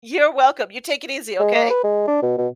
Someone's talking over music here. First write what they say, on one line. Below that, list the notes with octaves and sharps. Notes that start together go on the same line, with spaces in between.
You're welcome, you take it easy, okay?
G#3
A#3
B4
G#3
D4
B2
B2